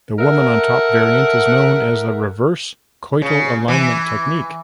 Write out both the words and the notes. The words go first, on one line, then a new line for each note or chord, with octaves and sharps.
The woman on top variant is known as the reverse coital alignment technique.
A4 A#4 E5 F#5
C#3
E3